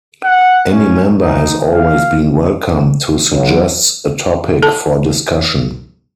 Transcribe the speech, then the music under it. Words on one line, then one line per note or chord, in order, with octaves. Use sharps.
Any member has always been welcome to suggest a topic for discussion.
F#5
C#4
D#4
F5
B1
A4 A5